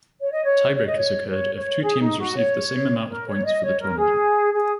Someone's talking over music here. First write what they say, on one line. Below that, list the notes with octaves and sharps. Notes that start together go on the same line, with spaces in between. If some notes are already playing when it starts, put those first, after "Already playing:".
Tiebreakers occurred if two teams received the same amount of points for the tournament.
C#5
D#5
C#5
C#5
D#5
C#5
C#5
C#5
G#4
D#4
F#4
C#5
A#4
C#5
D#5
C#5
A#4
G#4
G#4